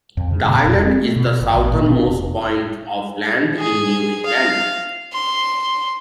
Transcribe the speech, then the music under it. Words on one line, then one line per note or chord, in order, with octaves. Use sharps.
The island is the southernmost point of land in New England.
F2
C#3
A#2
E1
C4
A3
B2
F#1
A1
A#2
B2
F1
G#4
F5
C6